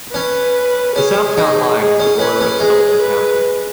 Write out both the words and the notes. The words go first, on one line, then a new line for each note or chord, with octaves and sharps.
The south town line is the border of Sullivan County.
C#4 B4
C#4 G#4
D#4
G#4
C#4
C#4 B4
C#4
G#3 G#4
B4